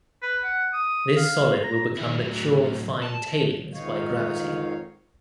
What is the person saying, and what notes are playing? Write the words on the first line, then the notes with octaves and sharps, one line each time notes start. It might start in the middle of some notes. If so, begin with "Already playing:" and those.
This solid will become mature fine tailings by gravity.
B4
F#5
D#6
F5
A#5
D#3 E4
A2 F#3
A5
F2 G#2 D#3 D#4 C#5 F5